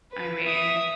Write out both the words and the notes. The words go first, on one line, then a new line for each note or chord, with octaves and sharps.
I mean
B4
E5 D#6